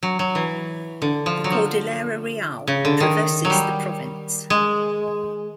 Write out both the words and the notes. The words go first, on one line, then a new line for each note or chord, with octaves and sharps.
The Cordillera Real traverses the province.
F#3
F#3
E3
D3
F3
F#3
F3
C#3
D3
D#3
F#3
G3
G#3